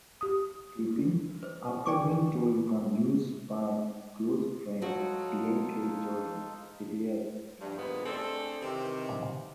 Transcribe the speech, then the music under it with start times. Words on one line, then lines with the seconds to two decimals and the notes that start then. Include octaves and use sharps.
Griffin, after being told the news by close friend DeAndre Jordan, declared, Yeah!
0.21 G4 D#6
1.43 B4 C5
1.86 G#4 D5 G5 G#5 C#6 D6
4.82 F#3 D#4 F4 F#4 A4
7.61 G2
7.77 G2 A#2 D#3 F3 G#3 B3
8.06 A3 C4 D4 G#4 A4
8.62 C3 D#3 E3